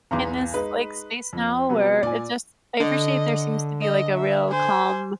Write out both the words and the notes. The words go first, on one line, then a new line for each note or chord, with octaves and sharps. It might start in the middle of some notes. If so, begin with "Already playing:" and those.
in this, like, space now where it's just" I appreciate there seems to be, like, a real calm,
B1 E2 A#5 C6 D6
G#3 D#4 B4
F2
C3 F#3 B3
A#2 D5 G#5
D3 D#5
D#5
E5
C5 G#5